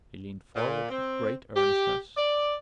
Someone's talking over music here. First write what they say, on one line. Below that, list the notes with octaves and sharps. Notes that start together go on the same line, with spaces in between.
He leaned forward with great earnestness.
A#2
C4
G4
D5